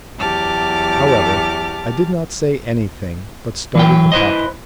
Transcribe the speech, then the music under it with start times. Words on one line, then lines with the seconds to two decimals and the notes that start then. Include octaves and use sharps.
However, I did not say anything, but started the packing.
0.18 E2 F#3 G4 A5 D6 F6
3.75 E3 F#3 G5
4.12 E4 B4 C5 D#5